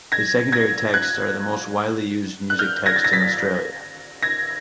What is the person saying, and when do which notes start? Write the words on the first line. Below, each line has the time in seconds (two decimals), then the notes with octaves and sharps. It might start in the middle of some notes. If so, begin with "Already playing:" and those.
His secondary texts are the most widely used music texts in Australia.
0.12 G#6 A#6
0.52 G#6 A#6
0.94 F#6 G#6
2.50 F#6
2.59 F6 G6
2.86 G#6 A#6
2.96 A6
3.04 A#6
3.13 A6 B6
4.23 G#6 A#6